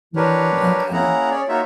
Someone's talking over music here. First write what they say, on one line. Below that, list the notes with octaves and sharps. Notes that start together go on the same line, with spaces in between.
Mm, okay.
D4 G4 A#4 B4 C#5
A#3 C#4 E4 G#4 F#5 A#5
C#4 G#4 C#5 D5
A#3 D#4 F4 F#4 C#5 E5